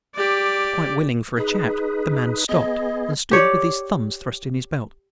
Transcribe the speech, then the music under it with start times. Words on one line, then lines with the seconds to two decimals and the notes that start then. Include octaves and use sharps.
Quite willing for a chat, the man stopped, and stood with his thumbs thrust in his belt.
0.16 G4 D5
1.38 D#4 G#4 B4
2.49 B3 G#4 D#5
3.31 G4 C#5 D5